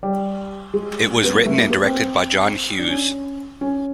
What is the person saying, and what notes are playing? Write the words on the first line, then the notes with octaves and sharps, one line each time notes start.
It was written and directed by John Hughes.
G3
G#3
B3
A#3
A3
A#3
B3
C4
D4
C#4
C#4